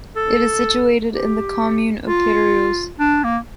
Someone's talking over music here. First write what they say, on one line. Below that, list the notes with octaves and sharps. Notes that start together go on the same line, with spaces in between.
It is situated in the commune of Pérouse.
A4
G4
F4
D4
A#3